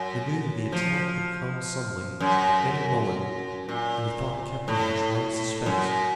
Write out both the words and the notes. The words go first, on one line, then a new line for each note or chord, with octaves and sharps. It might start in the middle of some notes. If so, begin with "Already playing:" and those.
They knew that the attack would come suddenly, at any moment, and the thought kept them in trying suspense.
Already playing: F#2
F3
F#2
A#2
A2
F#2